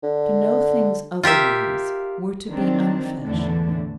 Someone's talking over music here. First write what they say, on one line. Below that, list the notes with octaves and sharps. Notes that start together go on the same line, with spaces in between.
To know things otherwise were to be unfashionable.
D3
F4 G4 A#4 E5
D#3 F#3 C4 D4
E2 A2 D3 E3 A3 D4